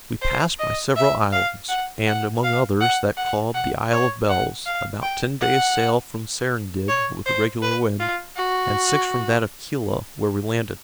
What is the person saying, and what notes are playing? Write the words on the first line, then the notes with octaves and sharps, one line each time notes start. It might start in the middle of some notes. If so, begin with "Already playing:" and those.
We passed by several islands, and, among others, that called the Isle of Bells, about ten days' sail from Serendib with a regular wind, and six from that of Kela, where we landed.
C5
D#5
E5
F5
F#5
F#5
F5
F#5
F#5
F#5
C#5
F#5
F5
G5
F#5
C#5
C5
B4
F4
F#4